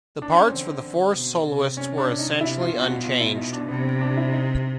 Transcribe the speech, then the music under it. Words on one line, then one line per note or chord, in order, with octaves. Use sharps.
The parts for the four soloists were essentially unchanged.
D4
C#4
D3 C4
B2
C3
C#4
D4
D#4
C3 E4
F4
B2
F#4
F4
E4
D#4
D4
C3 B3
C4
D4
E4
D#4